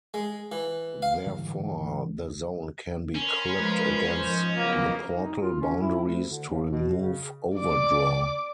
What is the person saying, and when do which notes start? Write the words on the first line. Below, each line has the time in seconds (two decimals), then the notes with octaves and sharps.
Therefore, the zone can be clipped against the portal boundaries to remove overdraw.
0.14 G#3
0.52 E3
1.02 F5
1.26 G#2 D3 E3 G3
3.15 C#4 A#4 B5 C6
3.54 F3 G#3 B4
4.19 G#2 F3 C5 D#5
4.56 C#3 F#3 A#3 B3
5.16 D#4
5.41 F4
5.61 C#4
5.81 E4
6.04 D2
6.29 D3
6.49 D#2
6.69 B2
6.96 C#3
7.56 D5 D6